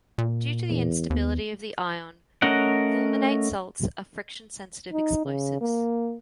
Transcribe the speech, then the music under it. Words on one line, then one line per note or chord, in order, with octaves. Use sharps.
Due to the instability of the ion, fulminate salts are friction-sensitive explosives.
A#2
E2
D#2 B3
A3 C#4 A#4 D#5 F#5
D#4
C#3
A#3